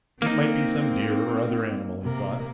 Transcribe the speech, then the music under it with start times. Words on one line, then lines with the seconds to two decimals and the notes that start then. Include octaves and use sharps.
It might be some deer or other animal, he thought.
0.22 A#3 C4 D#4
2.03 C3 A#3